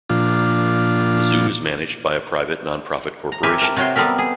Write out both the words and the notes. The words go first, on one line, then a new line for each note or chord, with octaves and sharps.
The Zoo is managed by a private non-profit corporation.
A#2 F3 D4 F4
A#5
C4 G4 A#4 E5 G#5
A#4 A5
C3 F#4 C#5 G5 C6
G3 B3 C4 A4 A#4 E5
G#4